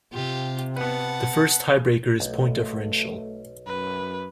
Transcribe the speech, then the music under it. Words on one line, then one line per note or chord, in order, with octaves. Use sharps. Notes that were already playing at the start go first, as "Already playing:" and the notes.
The first tiebreaker is point differential.
C3 F4 G4
B3 B4 F#5 A5
B1 A3
F#2 B4